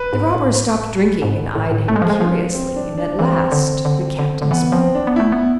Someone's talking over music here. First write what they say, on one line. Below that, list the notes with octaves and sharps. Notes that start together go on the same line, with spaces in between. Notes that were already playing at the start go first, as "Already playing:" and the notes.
The robbers stopped drinking and eyed him curiously, and at last the captain spoke.
Already playing: B4
G#2
A2
G#2
A2
A2
A3 A4
G#3
F3
G#4
G#3
F3 F4
C4
D4
D4
E3 C4
D3
D3
D3
D3
E3 B3
F3 C4
D4
B3
A3 E4
B3